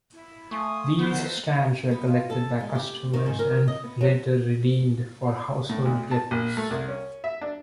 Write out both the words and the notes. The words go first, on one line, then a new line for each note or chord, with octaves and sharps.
These stamps were collected by customers and later redeemed for household gifts.
E4
A3 F5 G#5 C6 C#6 D#6
B3 A4 B4 C5 F#5
B3
F4
A4
G#3
G4
D#3
G#2
A#4
D#5
B3
F#3
A2
D2
A5
A#1
A3
C2
C#4
E5
D4